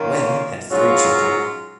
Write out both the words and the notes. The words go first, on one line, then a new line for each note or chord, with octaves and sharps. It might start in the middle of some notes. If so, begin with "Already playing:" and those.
Wen had three children.
Already playing: D#3 A#3 C#4 F4
G#2 F#3 C#4 F4